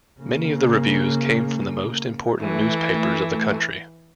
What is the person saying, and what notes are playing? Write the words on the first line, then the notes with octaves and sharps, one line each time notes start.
Many of the reviews came from the most important newspapers of the country.
C#3 A#3
E3 A3